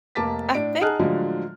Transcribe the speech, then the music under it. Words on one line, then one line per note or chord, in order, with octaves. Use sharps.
I think
F1 A#3 A5 D6 A6 B6
A2 D4 D7
D#4 G#4 F#5 A5 F6 F#6
A2 D3 F3 F#3 G#3